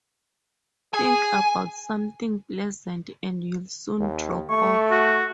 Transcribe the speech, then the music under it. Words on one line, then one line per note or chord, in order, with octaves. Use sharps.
Think about something pleasant, and you'll soon drop off.
G#4 G#5
D#2
A3 C#6
F#4